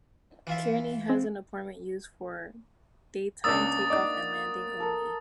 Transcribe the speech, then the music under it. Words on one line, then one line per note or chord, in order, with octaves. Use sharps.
Kearny has an airport used for daytime take off and landing only.
E3 F4 E5
C4
C#2 A#3 D4 D#6 E6 A6
D4 D#4 D5 F#5
A4 A#4